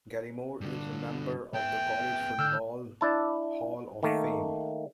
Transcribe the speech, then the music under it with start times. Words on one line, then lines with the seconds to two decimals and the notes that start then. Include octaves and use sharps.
Galimore is a member of the College Football Hall of Fame.
0.61 G2 D3
1.54 B3 E5 G5
2.39 D3 E6 F6 G6
3.01 D4 E4 A5
4.03 D#3 A3 A#3